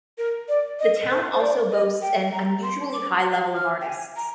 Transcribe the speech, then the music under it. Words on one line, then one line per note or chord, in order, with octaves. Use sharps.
The town also boasts an unusually high level of artists.
A#4
D5
D#5
C5
C5
D5
D#5
G5
A#5
C6
D6
F6
G5
G#5
A#5